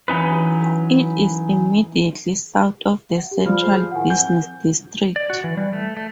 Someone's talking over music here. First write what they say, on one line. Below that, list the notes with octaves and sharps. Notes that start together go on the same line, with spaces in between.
It is immediately south of the central business district.
E3 F#3 C#4 D#4 B4
G4
F3 G3 B5 F6
G#4 C5
A2 D#3 F#5 G#5
F3 C4 G6
D5
F#4
E3
G3
A3
A3